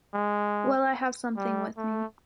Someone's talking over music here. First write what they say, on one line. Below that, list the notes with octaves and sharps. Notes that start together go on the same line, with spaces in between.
Well I have something with me.
G#3
G3
A3